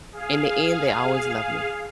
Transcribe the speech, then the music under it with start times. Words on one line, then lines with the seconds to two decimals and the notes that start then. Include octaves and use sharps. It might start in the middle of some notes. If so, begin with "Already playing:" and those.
in the end, they always love me.
0.12 G#4 F5